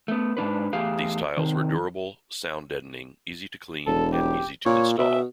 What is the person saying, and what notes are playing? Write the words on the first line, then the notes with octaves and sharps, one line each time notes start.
These tiles were durable, sound-deadening, easy to clean and easy to install.
A3 B3
G#2 B2 D4 B4
E2 A3 G4 G#4 F5
C3 D#3
E1 A4
G4
A#2 C#5
B2 E5